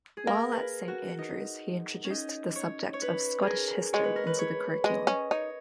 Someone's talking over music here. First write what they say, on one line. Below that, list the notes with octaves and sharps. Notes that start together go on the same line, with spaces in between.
While at Saint Andrews he introduced the subject of Scottish history into the curriculum.
G#4
A#3 A#4
B4
A#4
F#4
D#4
C#4
D#4
C#5
C#5
B4
G#4 A#4
G#3 C#5
B4
A#4
B4
C#5
G#3 D#5
C#4
D#4 C#5